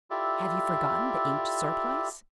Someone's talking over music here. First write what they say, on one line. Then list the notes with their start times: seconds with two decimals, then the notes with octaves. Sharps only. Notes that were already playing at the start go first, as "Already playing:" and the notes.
"Have you forgotten the inked surplice?"
0.10 E4 F4 G4 A4 D5 E5